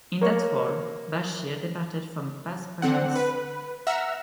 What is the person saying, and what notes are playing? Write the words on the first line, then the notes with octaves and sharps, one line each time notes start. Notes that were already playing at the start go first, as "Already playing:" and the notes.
In that role, Bashir departed from past practice.
A#3 C#5
D3 C4 F#5
B4
E5 F#5 A#5 E6 F6